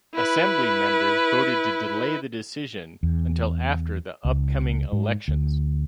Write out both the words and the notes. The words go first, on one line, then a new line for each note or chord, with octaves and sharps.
Assembly members voted to delay the decision until after the upcoming elections.
E4 B4
E2
C#2
G#2
D2